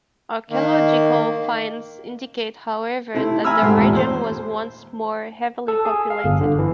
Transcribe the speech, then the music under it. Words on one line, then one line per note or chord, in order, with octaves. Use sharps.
Archeological finds indicate, however, that the region was once more heavily populated.
D#3 A#3
C3 A3 C4 E4
E5 G#5 A#5 B5 E6 F6
G#2 A3 G4
E2 A#2
C5
A4
G#4
F5
G1
D3
E3